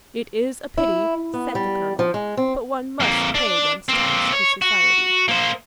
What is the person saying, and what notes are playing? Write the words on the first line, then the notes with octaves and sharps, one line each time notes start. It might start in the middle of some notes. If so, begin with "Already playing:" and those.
"It is a pity," said the colonel; "but one must pay one's tax to society."
E4
B3
G3
F3
G#3
C4
F2 A#3
D4 D5
A#3 C4
C#5
F#4
A#3 C5